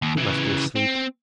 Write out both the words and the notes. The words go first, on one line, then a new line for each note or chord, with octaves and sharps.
He must be asleep.
D#2
C#3 E3
C4